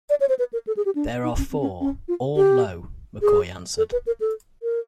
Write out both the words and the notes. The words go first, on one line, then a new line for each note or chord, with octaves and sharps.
There are four, all low, McCoy answered.
D5
C#5
C5
B4
A#4
A4
G#4
G4
D4
D#4
C#4
C4
C#4
C#4
F4
G4
G#4
A4
B4
A#4
A4
A#4